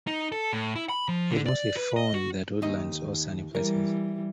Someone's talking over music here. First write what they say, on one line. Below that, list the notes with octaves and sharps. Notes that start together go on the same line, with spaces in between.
It is mostly found at woodlands or sunny places.
D#4
A4
A2
E4
B5
F3
D3
D5
B4
D#5
F#4
D#2 D#4 D#5
E3 G3 A#4